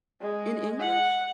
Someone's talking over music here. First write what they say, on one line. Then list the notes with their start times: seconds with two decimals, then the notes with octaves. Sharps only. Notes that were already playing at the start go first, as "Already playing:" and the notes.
in English?
0.21 G#3
0.80 F#5